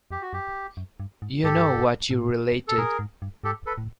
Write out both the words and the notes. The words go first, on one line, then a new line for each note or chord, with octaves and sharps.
You know what you related.
F2 G4
F#4
F#2 G4
F#2
G2
G#2
G#2 G4 A4
G2
G#2
A2
A4
A#2 G#4 A#4
G#2
G2
G#2 G4 A4
A4 B4
A2